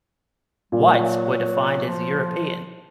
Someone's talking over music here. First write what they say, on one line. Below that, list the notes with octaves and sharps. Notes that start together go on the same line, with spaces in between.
"Whites" were defined as Europeans.
A#2 G3
F#3
F3